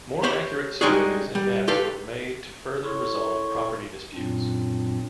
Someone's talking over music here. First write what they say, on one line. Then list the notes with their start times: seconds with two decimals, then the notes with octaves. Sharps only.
More accurate surveys and maps were made to further resolve property disputes.
0.23 G4 C5 C#5 B5
0.81 G3 G#3 D4 D#4 F#4 G#4
1.35 G3
1.68 G2 G4 A4 B4 F5
2.83 E4 A4 C#5 C6 C#6
4.15 F#2 A#2 F#3 C4 D4 F4